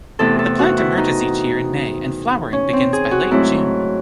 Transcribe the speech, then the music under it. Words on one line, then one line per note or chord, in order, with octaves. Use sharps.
The plant emerges each year in May and flowering begins by late June.
E2 C3 E3 A3 A4
A4
F#4
E4
D#4
C#4
C4
G#4
F#4
G#2 F#3 A3 C4 E4